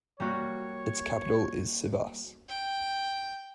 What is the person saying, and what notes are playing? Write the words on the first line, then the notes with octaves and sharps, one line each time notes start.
Its capital is Sivas.
G3 A#3 F#4 C#5
G5